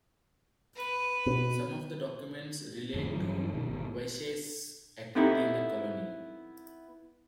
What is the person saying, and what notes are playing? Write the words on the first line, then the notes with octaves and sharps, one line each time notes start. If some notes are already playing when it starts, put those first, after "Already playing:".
Some of the documents relate to Wyche's activity in the colony.
B4
B2
F2 A2 D3
G2 E3 F#3
B2 D#3
G#1 B2
B3 C4 D#4 E4 G4 A4